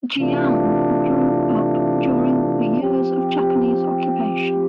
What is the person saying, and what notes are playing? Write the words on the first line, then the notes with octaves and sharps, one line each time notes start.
Jiang grew up during the years of Japanese occupation.
C3 E3 A3 D4 F4
F3 C4 G4